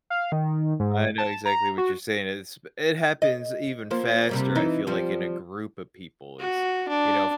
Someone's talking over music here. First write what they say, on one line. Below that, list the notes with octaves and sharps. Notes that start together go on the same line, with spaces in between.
I know exactly what you're saying. It's b it happens even faster, I feel like, in a group of people. It's you know, if
F5
D#3
G#2
A5
A#5
F#4
D#5
F3 A#3 C4
C3 G3 A#3
E3 D#4
F3 G3
F#4
D4